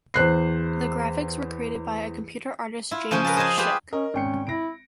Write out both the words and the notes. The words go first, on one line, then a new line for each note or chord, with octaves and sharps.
The graphics were created by computer artist James Shook.
E2 C5 F#6 C7
E4 F4
C#3 F3 C#4 C5
A#4 B4 F5 A5
G#4 C5 D#5 F5 G#5 A5
F4 G4 G#4 B4 C5 C6
C#4 A#4 D#5
G#1 C#4 G5 C#7
E4 A#6 D7